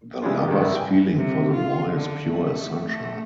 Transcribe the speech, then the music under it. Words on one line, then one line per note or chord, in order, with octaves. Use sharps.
The lover's feeling for the boy is pure as sunshine.
E3 G3 G#3 C#4 D4 F4
B2 A#3 G4 D5 D#6
G#2 D#3
G3 E4 A4 B4
G5 G#5
C3
F4
D3
A3
A3